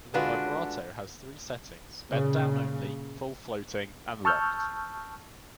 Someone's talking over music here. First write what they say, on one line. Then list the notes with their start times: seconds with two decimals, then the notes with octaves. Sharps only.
The vibrato has three settings; bend down only, full floating and locked.
0.14 D3 G#3 D4 F4 F#4 B4
2.10 A#2 C#3
4.25 A5 C#6 E6 F6 G6